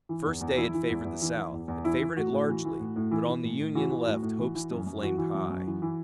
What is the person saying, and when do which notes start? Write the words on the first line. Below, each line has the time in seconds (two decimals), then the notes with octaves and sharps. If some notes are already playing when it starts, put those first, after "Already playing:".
The first day had favored the South, had favored it largely, but on the Union left hope still flamed high.
0.09 E3
0.26 E2
0.41 E2
0.57 E3 E4
0.74 E3
0.89 E2
1.05 E2
1.22 E3
1.36 E3
1.52 E2
1.68 E2
1.85 E3 E4
2.01 E3
2.17 A2 F#4
2.32 A2
2.48 E3
2.65 E3
2.80 A2
2.96 A2
3.11 E3
3.28 E3
3.44 A2
3.60 A2
3.75 E3 F#4
3.91 E3
4.07 A2
4.22 A2
4.39 E3
4.55 E3
4.71 F#2
4.86 F#2
5.03 E3 F#4
5.18 E3
5.34 F#2
5.50 F#2
5.67 E3
5.82 E3